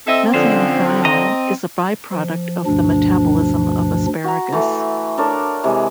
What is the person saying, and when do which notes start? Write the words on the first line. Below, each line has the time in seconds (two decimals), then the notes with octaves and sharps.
Methanethiol is a byproduct of the metabolism of asparagus.
0.07 C4 A4 D#5 E5
0.34 D3 F3 C#4 C5
1.05 D#5 A#5
2.13 F3
2.66 D2 G2 B2 F3 D4
4.24 F#4 A#5
4.52 E3 A3
5.18 D4 A4 A#4 C#5
5.64 C3 E3 G#3